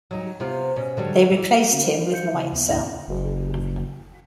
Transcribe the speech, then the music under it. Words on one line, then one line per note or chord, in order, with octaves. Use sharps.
They replaced him with Whitesell.
F#3 D#4
C3 B3 F4
B2 C#4
D3 F#3 G3
E3
D3 B3 C#4 F#4
D4 A#4 C5
C5 F5 G6 C#7
C#3 E4
D#2 B3
C#2 G2 D3 D4 E4 A#6
F#1